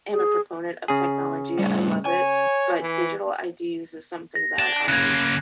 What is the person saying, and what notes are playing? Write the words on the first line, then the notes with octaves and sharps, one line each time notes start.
am a proponent of technology, I love it, but digital IDs is something that I'm
G#4
C#3 G#4
A2 G3
C#5 G#5
E3
A#6
D5 A5
C#3 A#3 F#6 G#6